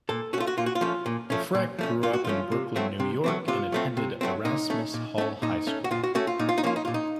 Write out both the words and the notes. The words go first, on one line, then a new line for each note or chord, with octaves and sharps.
LeFrak grew up in Brooklyn, New York, and attended Erasmus Hall High School.
A#2 A4
A3 C#4 F4 F#4
F#4
A#2 F4
F#4
F4
F3 A3 C#4
A#2
F3 A3 C#4
A#2
F3 A3 C#4
A#2 F4
F#4
F3 A3 C#4 F4
C3
F#3 A3 C4
C3
F#3 A3 C4
C3 F4
F#3 A3 C4
C3
F#3 A3 C4
A#2 D#4
A3 C#4
A#2
A3 C#4
A#2 D#4
A3 C#4
F#4
A#2 F4
F#4
A3 C#4 F#4
F4
A#2 D#4
F4
D#4
F3 A#3 C#4 F4
D#4
A#2 F4
D#4